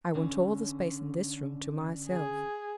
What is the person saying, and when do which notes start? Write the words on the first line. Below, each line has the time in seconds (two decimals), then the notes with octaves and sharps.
I want all the space in this room to myself!
0.15 D3 C#4
2.09 G#4